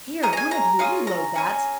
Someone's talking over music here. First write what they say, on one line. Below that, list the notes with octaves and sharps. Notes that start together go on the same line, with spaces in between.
Here, one of you, reload that.
C#4 G#4 A#5
A#5
G#5
A#5
C#4 F4 G#4
A#5
C#4 G#4